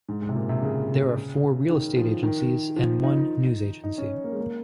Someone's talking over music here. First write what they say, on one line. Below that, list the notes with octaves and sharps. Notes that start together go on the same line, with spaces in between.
There are four real estate agencies and one news agency.
G#2
G#2
C3
A#2
C3
C#3
D#3
F3
D#3
F3
D#4
D#4
D#4
C#4
A#3
G#3
A#3